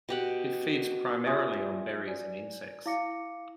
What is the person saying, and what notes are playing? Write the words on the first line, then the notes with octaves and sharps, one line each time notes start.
It feeds primarily on berries and insects.
B2 G4 F#5
F4 G4 E5 G#5 C6 D#6
D5 G#5
E4 F5 D6 A#6 C#7